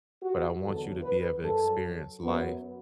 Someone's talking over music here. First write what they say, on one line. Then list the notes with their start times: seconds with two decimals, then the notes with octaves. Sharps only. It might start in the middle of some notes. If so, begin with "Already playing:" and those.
but I want you to be able to experience life
0.22 F#4
0.63 E2 D3 F#3 A4
1.03 B4
1.43 F#2 F#3 A4
2.23 F#2 F#3 B3